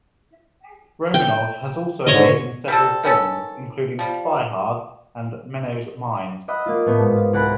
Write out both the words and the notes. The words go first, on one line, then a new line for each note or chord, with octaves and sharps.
Romanov has also appeared in several films, including "Spy Hard" and "Menno's Mind".
G5
G#2 D3 C#5 D#5
G3 C4 A4
D#3 B3 C#4 A4
F3 G3
D#5 F#5 B5 D#6 E6
A#3 F4
A2 A3 B3
G#2
F4
C2 F#5 A#5 B5